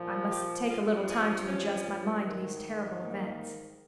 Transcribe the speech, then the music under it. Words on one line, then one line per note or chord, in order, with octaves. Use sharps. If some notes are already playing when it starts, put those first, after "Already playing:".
I must take a little time to adjust my mind to these terrible events.
Already playing: A#2 F3
G4
G2 F3 F4
G#4
C#4
G#2 D#3
A#3